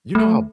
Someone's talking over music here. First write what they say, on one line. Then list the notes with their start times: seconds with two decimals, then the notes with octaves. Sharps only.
You know how
0.15 A3